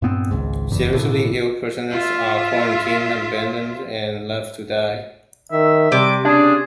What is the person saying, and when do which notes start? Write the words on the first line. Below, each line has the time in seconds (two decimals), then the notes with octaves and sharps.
Seriously ill prisoners are quarantined, abandoned, and left to die.
0.02 G2 A#2 B3 C4
0.31 G#1 C#2 G#2
0.70 F#1 E2
0.94 A1 B2 D3 E3
1.91 F4 E5
5.52 D#3 E5
5.92 C3 G3 D6
6.25 C#3 D4 G#4